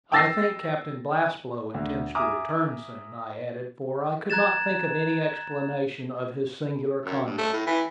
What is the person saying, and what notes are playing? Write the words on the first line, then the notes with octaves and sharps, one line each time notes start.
"I think Captain Blastblow intends to return soon," I added, for I could not think of any explanation of his singular conduct.
G5 E6 A6 A#6 C7
D2
E5 G#5 A#5 D6 D#6 F6
A#5 F#6 G#6 A6 E7
F#2
G2
A3
A2
E3